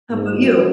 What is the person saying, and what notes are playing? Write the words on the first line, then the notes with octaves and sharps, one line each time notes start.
How 'bout you?
G#2
F#2